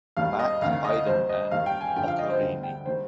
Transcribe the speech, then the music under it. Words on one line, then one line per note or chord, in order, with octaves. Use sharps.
Bach, Haydn and Boccherini.
D#2 D#3 G3 F5
D#5
D2 C3 D#3 F5
D#5
D#2 D#3 G3 C5
D#5
D#2 D#3 G3 F5
G5
G#5
G2 D3 F3 G5
F5
D#5
C5
D2 D3 G3
G5
D#3 G3 C5